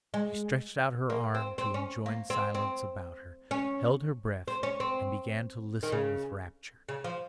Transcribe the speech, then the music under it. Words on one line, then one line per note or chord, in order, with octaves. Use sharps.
She stretched out her arm to enjoin silence about her, held her breath, and began to listen with rapture.
G#3
A#3
C4
C4
C#4
A#3
C4
C4
C#4
C4
C#4
C4
D#3
C#3
C#3
F3